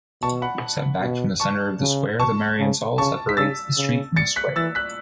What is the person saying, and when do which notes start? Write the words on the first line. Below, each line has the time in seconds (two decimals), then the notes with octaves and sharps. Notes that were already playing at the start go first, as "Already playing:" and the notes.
Set back from the center of the square, the Mariensäule separates the street from the square.
0.21 B2 A5 C#6
0.42 F#5 B5
1.02 B2
1.40 A5 C#6
1.80 C#3
2.19 A5 C#6
2.59 C#3
2.98 C#3 A5 C#6
3.29 B6
3.37 C#3 E6 A6
3.77 C#3
4.16 A6 C#7
4.36 F#6 B6
4.56 E3 E6 A6
4.75 F#6 B6